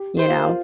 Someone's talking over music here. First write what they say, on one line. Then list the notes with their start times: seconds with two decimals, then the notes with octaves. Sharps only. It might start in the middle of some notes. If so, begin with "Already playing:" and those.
You know?
Already playing: G4
0.18 G4 C5
0.27 F4
0.37 A#4
0.47 F4